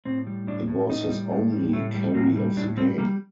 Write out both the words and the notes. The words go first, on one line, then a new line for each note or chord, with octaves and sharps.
It was his only carry of the game.
A2 C4
G3
A2 D4
A2
A2 D#4
G3
A2
G3
A2 A3
G3
A2 A#3
G3
A2 D4
G3 C4
G3 A#3